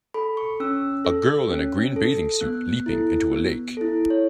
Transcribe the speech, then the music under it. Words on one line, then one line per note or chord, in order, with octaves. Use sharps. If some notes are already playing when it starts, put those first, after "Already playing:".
A girl in a green bathing suit leaping into a lake.
A4 B5
C#6
C#4 E6
A4
C#4
A4
B3 F#6
E4 A4
B3
E4 A4
C#5